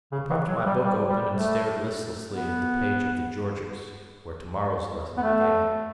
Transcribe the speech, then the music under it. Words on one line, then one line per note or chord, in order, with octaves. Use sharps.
I propped my book open and stared listlessly at the page of the Georgics where to-morrow's lesson began.
C#3
E3
F#3
G3
G3
G3
A3
B3
B3
A3